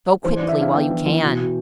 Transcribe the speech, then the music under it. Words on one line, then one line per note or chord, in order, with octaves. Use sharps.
"Go quickly, while you can!"
E3 C5
E3 D5
E5
D4 F5
B3 G5
E3
E3
B2
B2